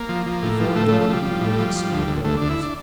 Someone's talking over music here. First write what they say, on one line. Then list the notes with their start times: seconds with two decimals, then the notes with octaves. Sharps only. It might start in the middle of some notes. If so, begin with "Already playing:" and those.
Before dawn he woke us, and we rose.
Already playing: A#3
0.09 F3
0.26 F3
0.43 A2
0.60 F3 G3
0.76 A2 A3
0.88 A3
0.92 F3
1.01 A3
1.09 F3 G3
1.25 F3
1.41 A2
1.59 F3
1.75 F3
1.92 D2
2.08 D2
2.24 D2 A3
2.37 D2 D4
2.50 E4
2.62 D4